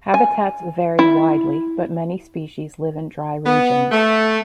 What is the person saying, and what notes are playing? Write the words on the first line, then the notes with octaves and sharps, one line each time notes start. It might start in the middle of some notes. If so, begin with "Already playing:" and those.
Habitats vary widely, but many species live in dry regions.
G#5
E4
B3
A3